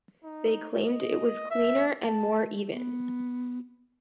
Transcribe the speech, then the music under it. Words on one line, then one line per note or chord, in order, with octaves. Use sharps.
They claimed it was cleaner and more even.
D#4
D#5
E5
A5
B3